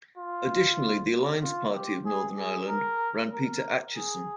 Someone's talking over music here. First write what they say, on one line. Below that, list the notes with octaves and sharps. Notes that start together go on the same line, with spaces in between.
Additionally the Alliance Party of Northern Ireland ran Peter Acheson.
F4
F4
G4
G#4
G#4
A#4
A#4
G#4